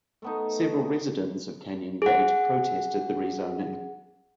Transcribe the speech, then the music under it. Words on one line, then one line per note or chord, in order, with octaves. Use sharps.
Several residents of Canyon Gate protested the rezoning.
A3 B3 D#4
G#4 F#5